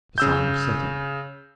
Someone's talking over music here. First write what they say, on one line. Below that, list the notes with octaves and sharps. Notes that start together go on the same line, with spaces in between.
The sun was setting.
C#3 E6 G6